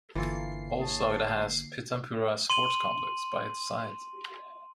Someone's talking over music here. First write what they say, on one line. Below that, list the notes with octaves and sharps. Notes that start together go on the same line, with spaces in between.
Also it has Pitampura Sports Complex by its side.
G1 D3 E3 A#3 F4 A4 C7
G#4 C#5 A5
C6 D#7 F#7